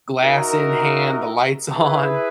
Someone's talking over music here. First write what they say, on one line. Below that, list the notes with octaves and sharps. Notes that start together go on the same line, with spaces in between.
glass in hand, the lights on?
D#4 F#4 A#4 E5
E4 G#4 B4 E5